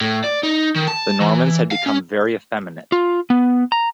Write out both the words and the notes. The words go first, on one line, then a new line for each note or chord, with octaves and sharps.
The Normans had become very effeminate.
A2
D5
D#4
D#3
A5
E3
F5
C#4
F4
B3
A#5